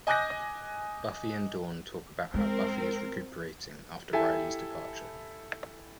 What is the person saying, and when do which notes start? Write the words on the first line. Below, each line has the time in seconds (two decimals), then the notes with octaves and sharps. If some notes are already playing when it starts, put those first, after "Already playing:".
Buffy and Dawn talk about how Buffy is recuperating after Riley's departure.
0.07 D#5 G#5 D6 F#6 G6 A#6
2.34 G#3 C4 A#4
4.13 E4 G4 A4 E5 G#5